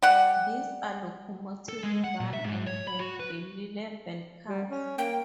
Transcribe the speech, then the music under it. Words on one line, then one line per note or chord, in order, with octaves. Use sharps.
These are locomotive-run and have bilevel cars.
G3 F#5
A4
G#3
F#5
A#2
E5
G#2
C#5
B5
F#4
B4
G3
C#4
A#3 G5